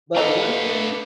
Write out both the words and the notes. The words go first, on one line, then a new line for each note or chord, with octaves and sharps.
But one thing
B3 D4 A4 D#5 F5 A#5